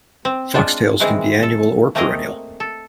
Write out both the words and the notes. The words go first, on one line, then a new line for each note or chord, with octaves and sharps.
Foxtails can be annual or perennial.
C4
G#3 D4 F4 C5
D#3 E3 G#3 C4
A4
A3 A#3 C4 G#4 A#4 D#5
A4